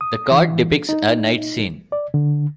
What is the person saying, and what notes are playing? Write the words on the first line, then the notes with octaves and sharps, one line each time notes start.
The card depicts a night scene.
D#6
E3
D#4
D5
D3